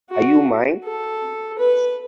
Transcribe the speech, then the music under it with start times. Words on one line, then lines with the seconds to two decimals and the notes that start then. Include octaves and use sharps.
Are You Mine?
0.10 F#4
0.84 A4
1.59 B4